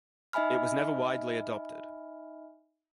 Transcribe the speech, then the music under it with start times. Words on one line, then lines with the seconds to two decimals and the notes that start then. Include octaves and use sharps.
It was never widely adopted.
0.33 D#4 D#5 E5 G#5 B5 F6